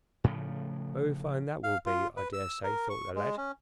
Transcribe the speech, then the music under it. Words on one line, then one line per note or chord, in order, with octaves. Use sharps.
"Very fine that will be, I dare say," thought the lad.
A2 C#3 F3 A3
F5
F4
B4
E6
A#4
C#6
G#3
C#4